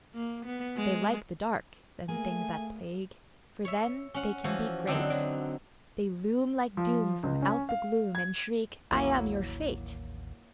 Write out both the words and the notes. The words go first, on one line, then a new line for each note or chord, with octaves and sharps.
They like the dark, them things that plague, For then they can be great, They loom like doom from out the gloom, An' shriek: "I am your Fate!"
A#3
B3
G#3
A3 A#3 G#4 G#5
C#5 E5
C#4 F#5
E3 F3 F#4
D3 F#3 C4 D4 D#4
F#3
F3
C#2
C#4
F5
G#6
A1 D#2 F#3 A#3 E4